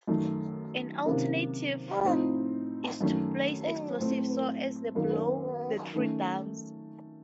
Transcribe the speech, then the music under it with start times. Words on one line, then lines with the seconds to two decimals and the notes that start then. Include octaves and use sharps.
An alternative is to place explosives so as to blow the trees down.
0.07 F#2 D#3 A3
1.05 C3 D#3 A#3 C#4
2.03 A2 F3 C4 D#4
3.01 F#2 D#3 A3 C#4
3.98 A2 A3 C4
4.95 F#2 D#3 A#3
5.93 D#3 A3 C#4